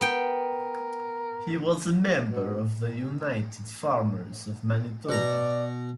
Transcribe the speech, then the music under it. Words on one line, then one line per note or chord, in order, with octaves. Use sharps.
He was a member of the United Farmers of Manitoba.
B3 A#4 G5
B2
B2 D5 A#5